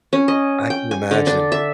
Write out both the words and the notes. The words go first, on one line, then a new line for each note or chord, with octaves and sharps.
I can imagine.
C#4
D#5
G5
G#5
D3
D4
E5